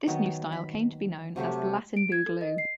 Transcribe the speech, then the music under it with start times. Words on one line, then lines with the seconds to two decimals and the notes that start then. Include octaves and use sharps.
This new style came to be known as the Latin boogaloo.
0.08 D#3 F#3 B3
0.52 B5
1.36 C3 F#3 A3 G4
1.97 D7
2.12 G#6
2.26 A4
2.41 D#5
2.58 C7